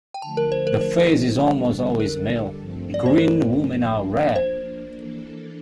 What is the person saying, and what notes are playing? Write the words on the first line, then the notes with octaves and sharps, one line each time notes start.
The face is almost always male; green women are rare.
G5
D3 F3 A3 A5
A#4
C5
A#4
C5
D3 G3 D4 A4
A#4
G2 F3 A3 C4
D5
C5
A#4
F3 A#3 D4
C5
E3 A#3 D4 A4